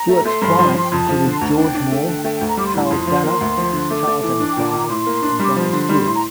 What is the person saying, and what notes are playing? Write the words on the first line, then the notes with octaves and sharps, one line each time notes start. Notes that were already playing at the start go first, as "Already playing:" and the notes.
Buek's clients included George Moore, Charles Dana, Charles M. Fry and John A. Stewart.
Already playing: A#5
A3
A3 C6
G2
F3
F3
G5
F2 A5
F3
D3 C6
D2 A#5
A5
D4 G5
D4
A3
D3
A3 G5
G5
D2
A#5
G3 D6
C6
A2 A#5
C6
F2
F3
A#3
D2
F3
D3
A3 D6
A3
E3
D4
A#2 G5
A5
A#2 A#5
A2 C6
A#3
D4
G3 D6
F3 C6
D3
G3
A2
A#5